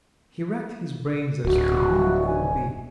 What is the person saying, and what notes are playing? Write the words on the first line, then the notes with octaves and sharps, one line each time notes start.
He racked his brains as to who it could be.
D1 F#4
G#5